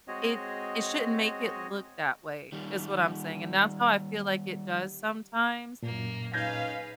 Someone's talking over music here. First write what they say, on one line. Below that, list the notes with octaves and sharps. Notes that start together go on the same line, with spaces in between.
it it shouldn't make it look that way is what I'm saying, and that's how I feel like it does sometimes,
G#3 C4 F#4 G#4 C#5 D#5
D#3 G3
F#2 A#2 A#3
C#4 D#4 G#4 B4 F5 G6 G#6 A#6